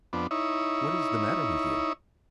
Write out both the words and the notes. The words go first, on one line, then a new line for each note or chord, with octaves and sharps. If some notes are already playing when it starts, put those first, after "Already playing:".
"What is the matter with you?"
F2 B3 D4
D#4 E4 C#5